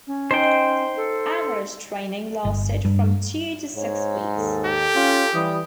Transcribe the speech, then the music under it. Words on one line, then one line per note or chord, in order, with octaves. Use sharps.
Average training lasted from two to six weeks.
C#4
D#4 C5 G5
A4
G1
G2
G#2 C#5
D#2 A4
G4
C#4 F4
E3 G3 D#6